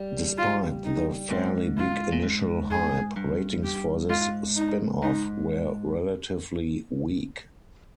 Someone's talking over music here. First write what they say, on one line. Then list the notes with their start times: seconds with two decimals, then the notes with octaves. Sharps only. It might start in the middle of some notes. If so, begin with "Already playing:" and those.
Despite the fairly big initial hype, ratings for this spin-off were relatively weak.
Already playing: G3
0.38 F4
0.85 D#4
1.31 G#2 C4
1.77 F4
2.12 A#2
2.23 G#2
2.70 G#4
3.16 G2
3.63 G4
4.09 G#2 F4
4.56 D#4
5.02 G#2 D#4